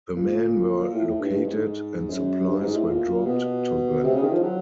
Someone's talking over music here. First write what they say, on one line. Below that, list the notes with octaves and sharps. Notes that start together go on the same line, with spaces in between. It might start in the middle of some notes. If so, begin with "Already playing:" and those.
The men were located and supplies were dropped to them.
A#2
A2
A2
G2
G2
G#2
G#2
F#2
G2
G#2
A2
A#2
B2
C3
C#3
D#3
F3
F#3